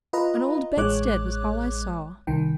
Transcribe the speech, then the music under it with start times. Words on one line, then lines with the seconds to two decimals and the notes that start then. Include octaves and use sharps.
An old bedstead was all I saw.
0.13 F4 B4 D#5 A#5
0.77 A1 G#3 C#5 D6 F#6
2.27 C2 D#3 G5